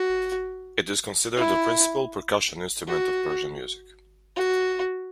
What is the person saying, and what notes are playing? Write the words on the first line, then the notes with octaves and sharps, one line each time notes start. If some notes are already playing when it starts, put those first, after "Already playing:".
It is considered the principal percussion instrument of Persian music.
Already playing: F#4
E4
F#4
F#4